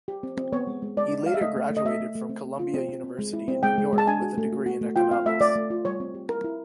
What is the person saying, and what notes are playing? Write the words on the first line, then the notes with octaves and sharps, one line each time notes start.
He later graduated from Columbia University in New York with a degree in economics.
G4
C4
C4
B3 C#5
G#3
G#3
G#3 D5
D#4
G#3 F5
E5
A3 D#5
A3
A3
D#5
A3 E5
A3
A3
C4
C4
F4
C4
C4
C4
G#3
E4
C4
G#3 G5
G#3
G#3
A5
D4 G#5
F#4
A3
F#4
F#4
A3
F4 G5
C4 F5
A3 E5
A3 D5
A3
F4
G3 C#5
C4
G4
E4 A#4
E4